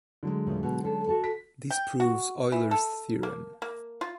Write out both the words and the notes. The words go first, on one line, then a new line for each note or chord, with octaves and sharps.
This proves Euler's theorem.
D3 F#3 G#3
E2 A#2 C#3
B2
C#4 D4 A4
F#4 A4 A5
B6
G5
F#4
E3
A4
A#3
A#3
F4